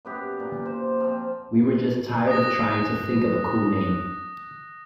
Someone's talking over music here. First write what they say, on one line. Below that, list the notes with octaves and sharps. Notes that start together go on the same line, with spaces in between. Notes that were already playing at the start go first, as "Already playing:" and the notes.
We were just tired of trying to think of a cool name.
F#2 B3 G4
A#2
C5
F3 C4
D#6 F#6 A#6